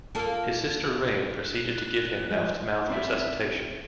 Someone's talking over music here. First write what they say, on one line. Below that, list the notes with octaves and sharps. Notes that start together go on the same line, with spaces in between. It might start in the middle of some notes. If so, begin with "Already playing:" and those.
His sister Rain proceeded to give him mouth-to-mouth resuscitation.
A#3 F4 A4
F#6
F3 G#3
C4 D5 E5